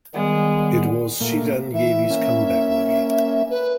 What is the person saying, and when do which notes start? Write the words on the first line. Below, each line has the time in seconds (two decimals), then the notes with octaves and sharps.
It was Chiranjeevi's comeback movie.
0.15 D#3 G3 G#3 B3
1.20 A#2 A3 A#3
1.74 E3 E5
2.10 A#3 C#4
3.50 B4